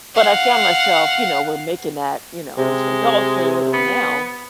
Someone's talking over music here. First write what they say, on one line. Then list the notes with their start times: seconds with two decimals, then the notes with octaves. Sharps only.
but I found myself, you know we're making that, you know, into adulthood, and now,
0.15 F5 F#5
2.58 C3 G#3
3.73 B3